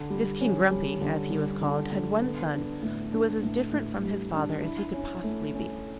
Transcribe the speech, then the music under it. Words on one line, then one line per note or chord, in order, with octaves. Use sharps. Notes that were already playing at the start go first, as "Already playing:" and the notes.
This King Grumpy, as he was called, had one son, who was as different from his father as he could possibly be.
Already playing: D3
G3
C#4
G3
D3
G3
D3
D3
B3
D4
A2
D4
A2
A2
G3
D4
E4
C#4
A3
C#4